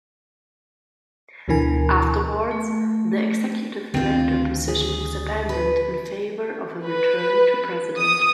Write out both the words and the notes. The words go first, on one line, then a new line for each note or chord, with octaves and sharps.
Afterwards, the Executive Director position was abandoned in favor of a return to "President".
D2 B2 D3 E3 A#4 G#5
A3
D2 D#3 C4 F4
G#4
B4
B4
D#6